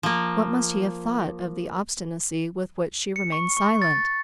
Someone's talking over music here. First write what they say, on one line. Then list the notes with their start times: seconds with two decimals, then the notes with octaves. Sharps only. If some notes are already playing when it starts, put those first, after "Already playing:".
What must he have thought of the obstinacy with which she remained silent?
0.03 F3 A#3
3.16 C#7
3.32 C#6
3.57 C#6
3.82 A6